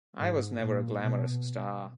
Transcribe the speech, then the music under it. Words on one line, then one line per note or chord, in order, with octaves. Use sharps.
I was never a glamorous sta.
G#2
A#2
B2